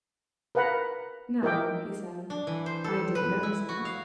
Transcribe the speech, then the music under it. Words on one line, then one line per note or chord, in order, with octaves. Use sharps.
"No," he said; "I didn't notice it."
A#4 B4 F5 F#5 A#5 B5
D#4 A#4 D#5 E5 G5 D6
D4
E3
C5
A4
B4
E4
F#4
F5